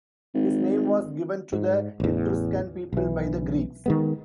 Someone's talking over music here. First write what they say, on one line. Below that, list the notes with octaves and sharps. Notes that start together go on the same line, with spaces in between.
His name was given to the Etruscan people by the Greeks.
G#1
G#2
A1 E2
B1 E3
D#3 G#3 B3